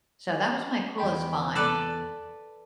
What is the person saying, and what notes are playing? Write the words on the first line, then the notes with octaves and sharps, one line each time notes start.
So that was my coolest find.
E2 G5 B5
A4 B4 D5